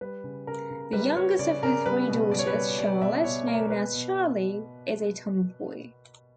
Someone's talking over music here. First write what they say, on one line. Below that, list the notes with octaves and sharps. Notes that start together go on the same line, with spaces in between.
The youngest of her three daughters, Charlotte, known as "Charlie", is a tomboy.
G3 B4
C#3
C#3 A#4
C#3
G3 B4
G3 C#5
C#3 D5
C#3 A#4
G3 B4
B2
G3 D5
C#5
B4
G3 C#5
G3 D5
B2 E5
B2 C#5
B2 A#4
B2 B4
B2